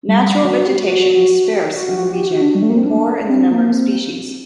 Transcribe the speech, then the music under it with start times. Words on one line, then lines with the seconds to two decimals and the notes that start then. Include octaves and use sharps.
Natural vegetation is sparse in the region and poor in the number of species.
0.08 G3
0.23 G3
0.45 F#4
0.66 G4
0.78 F#4
0.89 F#4
1.00 F#4
1.54 G4
1.76 F#4
1.97 F#4
2.12 G4
2.27 F#4
2.41 D4
2.55 G3
2.62 A3
2.69 A#3
2.77 C4
2.86 D4
3.29 C4
3.51 A#3
3.73 C4